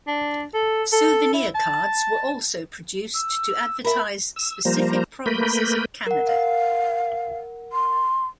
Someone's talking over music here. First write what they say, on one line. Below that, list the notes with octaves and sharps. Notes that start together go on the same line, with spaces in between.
Souvenir cards were also produced to advertise specific provinces of Canada.
D4
A4
A4
E4
A5
E6
A#4 E5 B5
E6
F3 G3 A#3 C5 A#5
A3 A#3 A#4 B4 B5 G6
A#4 F#5
F5
C6